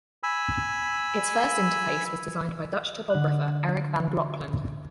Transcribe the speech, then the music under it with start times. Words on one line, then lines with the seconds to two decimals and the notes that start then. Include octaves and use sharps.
Its first interface was designed by Dutch typographer Erik van Blokland.
0.23 G#5 B5 E6
3.10 D3 F#6